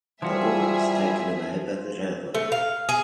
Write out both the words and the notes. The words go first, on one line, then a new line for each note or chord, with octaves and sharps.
The ore was taken away by the railway.
E3 F3 G3 F#4 G#4 E5
A3
F5
G#4